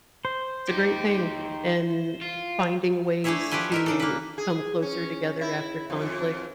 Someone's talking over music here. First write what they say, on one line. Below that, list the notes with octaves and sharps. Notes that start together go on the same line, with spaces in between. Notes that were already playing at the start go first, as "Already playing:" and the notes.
it's a great thing, and, finding ways to come closer together after conflict
C5
D#4 G4
F4
A3 D4 E4 G#4 C#5 E5
F3 G4 A4 B4 G#5
D#4 A#4 E5
C#3 D4 A4
A#3 B4
G#4
C#4
E4
F2